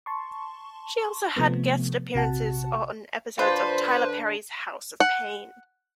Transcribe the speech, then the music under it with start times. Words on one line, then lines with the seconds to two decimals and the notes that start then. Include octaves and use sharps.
She also had guest appearances on episodes of "Tyler Perry's House of Payne".
0.06 A5 C6 C#6
1.36 C3 F3 A3 B3
2.14 A#1 C3 F#4 F#5 A5
3.39 D3 F4 B4 C5
5.00 F#5